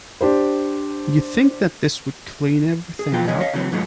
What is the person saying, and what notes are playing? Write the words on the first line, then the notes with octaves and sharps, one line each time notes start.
You think that this would clean everything up?
D4 G4 C5
G#4
E3 F3 F4 G5
C2 E3 G#3 C#4 G#4 D#5
C#5 D#5 F5
C#3 E3 F#3 C4
G#2 F#3 G#3 A3 F4